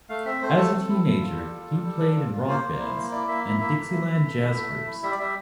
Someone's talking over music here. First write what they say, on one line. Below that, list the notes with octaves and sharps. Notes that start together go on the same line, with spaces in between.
As a teenager, he played in rock bands and dixieland jazz groups.
A3 F5
C4 E5
A3 C5
A3 A4
C4
E4
E4
F4
G3
F4
G3
G3
D4
F4
F4
A#3 C5
A#3
E4
A#3
E4 D5
A#3 E5
E4 E5
A#3 E5
A3
E4
E4
A3
E4
A3
A3
E4
G3 E5
D5
G3 E5